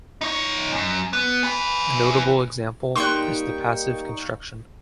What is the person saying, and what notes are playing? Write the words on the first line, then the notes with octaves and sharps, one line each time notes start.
A notable example is the passive construction.
D#4 C#5
F#2
B3
G#4 B4
G3 A#3 D#4 G5 C6 C#6 F#6